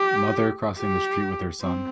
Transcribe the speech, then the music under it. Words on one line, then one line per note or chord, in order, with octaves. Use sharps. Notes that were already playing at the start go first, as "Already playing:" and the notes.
Mother crossing the street with her son.
Already playing: G4
G4
C4